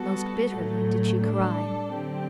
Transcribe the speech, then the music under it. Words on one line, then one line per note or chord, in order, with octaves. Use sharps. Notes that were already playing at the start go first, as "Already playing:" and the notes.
Most bitterly did she cry.
Already playing: G3 B3 F#4 A4
A2 F#3 A3
G3 D4 A4
D3 F#3 A3 C4 G4